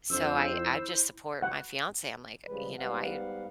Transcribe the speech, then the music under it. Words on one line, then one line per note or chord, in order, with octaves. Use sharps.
So I I just support my fiancé, I'm like, you know, I
F2 D4 C5 E6
E4
F#5
C#3 F3 G3 G#3 B4
G#2 G3 B3 F5 F#5